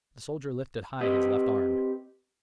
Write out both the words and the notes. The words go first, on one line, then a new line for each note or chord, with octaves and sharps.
The soldier lifted high his left arm.
C4 G4 B4 D#5